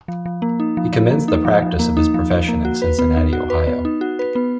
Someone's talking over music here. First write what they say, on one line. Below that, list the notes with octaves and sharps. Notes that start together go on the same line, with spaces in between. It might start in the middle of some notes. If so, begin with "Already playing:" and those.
He commenced the practice of his profession in Cincinnati, Ohio.
F3
F3
A#3
D#4
F3
F3
A#3
D#4
F3
F3
A#3
D#4
F3
F3
A#3
F#4
B4
B3
D#4
F#4
B4
B3
D#4
F#4
B4
B3